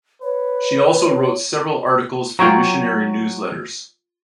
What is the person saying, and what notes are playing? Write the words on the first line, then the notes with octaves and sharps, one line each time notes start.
She also wrote several articles for missionary newsletters.
B4 C#5
F#3 F4 C#5 G5 A#5